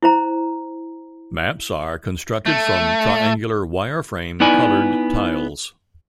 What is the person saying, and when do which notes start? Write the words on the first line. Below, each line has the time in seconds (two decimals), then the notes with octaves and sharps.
Maps are constructed from triangular wireframe colored tiles.
0.02 E4 C5 A#5
2.46 A3
4.40 B3 D#4 E4 D5 G#5